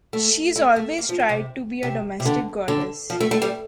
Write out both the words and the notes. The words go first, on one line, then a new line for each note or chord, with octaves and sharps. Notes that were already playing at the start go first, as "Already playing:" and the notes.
She's always tried to be a domestic goddess.
A3
A3
A3
A#3
F3
D#3
C3
C3
C3
D3
D3
F3
A3
A3
G3